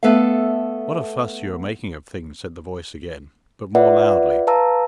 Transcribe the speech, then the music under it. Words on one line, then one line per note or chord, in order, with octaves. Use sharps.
"What a fuss you are making of things," said the voice again, but more loudly.
A3 B3 A4 B4 E5 F5
F4 B4 D5 E5 F#5
B4 F5 A5 A#5 E6